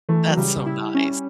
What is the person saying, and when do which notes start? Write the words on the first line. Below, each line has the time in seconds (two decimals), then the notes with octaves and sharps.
That's so nice.
0.09 E3 A3
0.27 F#3
0.37 C#3 G3
0.66 E4
0.95 C#4